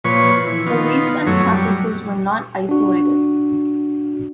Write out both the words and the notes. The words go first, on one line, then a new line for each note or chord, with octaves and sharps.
Beliefs and practices were not isolated.
A#2 F3 B4 C#5 C#6
E3
D#3 B3 F4
F#2 F#3 A3 C#5
F#3 G3
D4 F#4